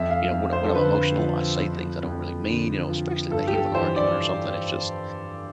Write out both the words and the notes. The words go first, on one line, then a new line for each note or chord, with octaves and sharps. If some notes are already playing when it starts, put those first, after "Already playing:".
you know, when when I'm emotional, I say things I don't really mean, you know, especially in the heat of an argument or something, it's just
Already playing: F2 E5
F5
F2
C5
A4
D3 B4
F3
F2
F2
D3
F3
G2 A4
G4
A4
E3 C5
D5